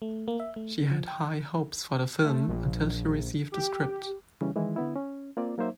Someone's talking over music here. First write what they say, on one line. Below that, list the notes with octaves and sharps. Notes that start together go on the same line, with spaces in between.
She had high hopes for the film, until she received the script.
A3
A#3
E5
A3
C#3
F3
G5
A3
A#1
G4
C#3 E3 G3 C#4
D#3 E3 G#3 E4
D3 B3 E4
C#4
A#3 C4 F4 D5
F#3 A#3 D#4 C5 E5